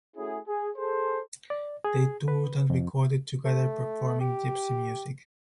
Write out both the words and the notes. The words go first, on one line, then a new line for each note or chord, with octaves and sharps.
They toured and recorded together performing Gypsy music.
A3 C#4 E4 F#4 G#4
G#4
G#4 A4 C5
D5
G#4
B4
F2
A3
G4